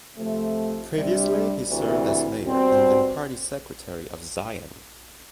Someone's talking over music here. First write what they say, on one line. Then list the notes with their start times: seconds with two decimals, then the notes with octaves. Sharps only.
Previously he served as mayor and then party secretary of Ziyang.
0.16 C3 F3 A3
0.92 C3 G3 D4
1.68 D2 C3 E3
2.43 B2 G3 C4